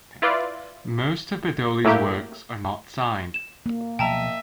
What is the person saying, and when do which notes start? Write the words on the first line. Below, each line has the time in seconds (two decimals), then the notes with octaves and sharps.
Most of Bedoli's works are not signed.
0.22 E4 F4 B4 D5
1.85 A2 F#3 A#3 E4 G4
3.34 E7
3.66 A#3
3.99 B2 F3 F#3 D#5 E5 G5 A5 A#5